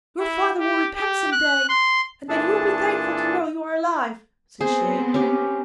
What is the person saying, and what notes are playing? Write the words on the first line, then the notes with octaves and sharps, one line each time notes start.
'Your father will repent some day, and then he will be thankful to know you are alive,' said she.
E4
G4
G4
F#6
C6
A#2 E3 D4 G#4 A4 A5
B3 C4 G#4 C5
C#4 G4